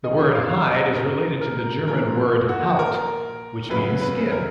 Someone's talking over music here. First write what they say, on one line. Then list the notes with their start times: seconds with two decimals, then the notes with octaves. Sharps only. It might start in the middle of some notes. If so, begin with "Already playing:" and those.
The word "hide" is related to the German word "Haut" which means skin.
0.04 F2 C#3 F#3 D#5
0.35 F5
0.65 D#5
0.96 A#4
1.41 A#4
1.87 A#2 F3 A#4
2.49 F#4
2.79 A#4
3.70 F#2 C#3 F#3 B4
4.01 B4
4.32 A#4